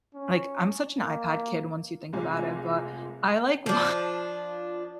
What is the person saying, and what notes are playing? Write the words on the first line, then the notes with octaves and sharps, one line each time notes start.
like, I'm such an iPad kid once you think about it, but I like wa
C#4
A#3
F1 C2 A#2 G#3 G#5
F3 D4